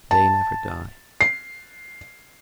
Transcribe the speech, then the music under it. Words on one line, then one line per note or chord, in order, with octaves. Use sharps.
They never die.
A5
C7